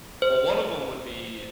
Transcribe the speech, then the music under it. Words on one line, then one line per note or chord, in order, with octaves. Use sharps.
Well, one of 'em would be,
C5